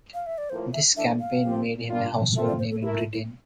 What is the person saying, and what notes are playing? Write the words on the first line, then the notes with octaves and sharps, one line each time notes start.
This campaign made him a household name in Britain.
F5
E5
D5
A2 F3 A#3 C5
E5
E3 A3 D4 E5
F5
F3 C4 G4
G3 A#3 D4 F4
A3 C4 F4 A4 E5
D5
C5
A4
A3 E4 G4 A#4
F4
E4